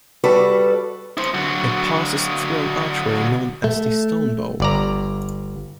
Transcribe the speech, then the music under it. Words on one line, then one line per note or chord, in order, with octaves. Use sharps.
It passes through an archway known as the Stonebow.
G3 F#4 A4 B4 D5
E4 C5
D3 F#3
A3
G1 D5 A#5